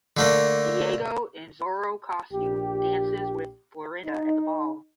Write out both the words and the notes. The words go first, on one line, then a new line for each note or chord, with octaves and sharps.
Diego, in Zorro costume, dances with Florinda at the ball.
D3 A3 A#3
A#1 G4
D#4